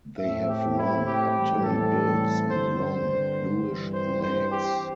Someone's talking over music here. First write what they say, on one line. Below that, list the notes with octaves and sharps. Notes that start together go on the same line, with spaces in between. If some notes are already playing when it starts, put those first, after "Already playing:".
They have long, upturned bills and long, bluish legs.
A2 A3 C4 E5
G4
E4
G4
A2 E3 G3 C4
A4
G2 D3 C4 C5
C5
G2 E3 C4
C5
C5
G4